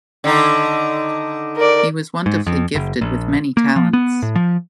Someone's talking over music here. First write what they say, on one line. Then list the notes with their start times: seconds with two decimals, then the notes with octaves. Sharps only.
He was wonderfully gifted with many talents.
0.24 D3 D#3 D#4
1.57 A#4 D5
2.26 G#2
2.47 F2
2.75 F#1
3.01 A#1
3.57 A#3
3.76 F3
3.93 B3
4.22 A2
4.36 F3